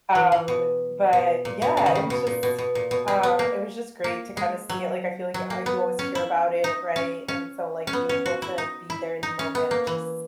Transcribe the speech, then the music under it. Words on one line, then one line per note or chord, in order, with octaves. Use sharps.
Um, but yeah, it was just, uh, it was just great to kinda see it, like, I feel like I you always hear about it, right, and so, like, being able to be there in the moment was just
E3
E3
B2
B2
A#2
B2
C#3
D#3
C#3
B2
A#2
B2
B2
A#2
B2
G#3
B3
A#3
A#3
G#3
F#3
F#3
A#3
B3
C#4
E4
D#4
C#4
C#4
C#4
B3
C#4
F#4
E4
D#4
E4
D#4
C#4
B3
A#3
E3